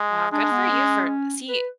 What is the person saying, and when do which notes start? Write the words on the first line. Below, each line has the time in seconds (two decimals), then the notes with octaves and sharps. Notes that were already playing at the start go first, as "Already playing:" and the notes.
Wow, good for you for See,
Already playing: G#3
0.32 G#3 D4
0.51 B3
0.71 C#4
1.49 B4